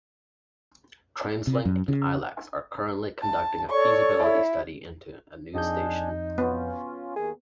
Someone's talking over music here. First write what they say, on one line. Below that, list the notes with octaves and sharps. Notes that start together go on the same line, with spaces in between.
Translink and Ilex are currently conducting a feasibility study into a new station.
C3
F#2
C#3
A5
A4 C#5 D5 C#6
E4
F2 F3 D4 D#4 G#4 G6
B3 C#4 F4
D#2 D#3 G#4